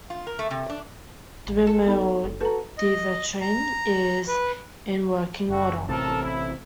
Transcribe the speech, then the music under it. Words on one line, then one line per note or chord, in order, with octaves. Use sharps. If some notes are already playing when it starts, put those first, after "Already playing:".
The windmill "De Verwachting" is in working order.
F4
A#4
A3
C3
D4
A1
A4
B3 D#4
F#1
F#4 A4 B4 A#5
D#5
A#5
B4
F#1 A3 F#4
A1 A2 C3 A4 A#4 A5
E4